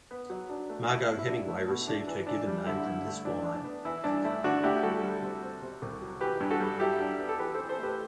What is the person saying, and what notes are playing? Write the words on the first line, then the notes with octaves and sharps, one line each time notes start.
Margaux Hemingway received her given name from this wine.
B3
F#3
D4
A3
A3 E4
B2
E4
D4
A3
B2
D4
E3
D4
G3
D3 E4
G2
A3
E3 D4
D4
D4
B3
E3 E4
G2 D4
A3 E4
D3 D4 F#4
D2 E4 G4
G3 F#4 A4
G3
C3
C4
C3
C2
F#3
E3 G4 B4
G2
F#4 A4
G3
F#3 E4 G4
D4
B3
A4
E3 G4 B4
C4 A4 C5
A4 C5
A3 G4 B4